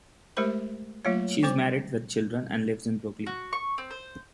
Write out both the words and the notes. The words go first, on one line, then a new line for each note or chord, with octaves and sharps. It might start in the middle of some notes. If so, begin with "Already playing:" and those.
She is married with children and lives in Brooklyn.
G#3 A3 G4 A#4 C5 B5
F#3 A3 A#3 F4 C#5
G3 C4 C5 D6
F#4
C#6
C4
C5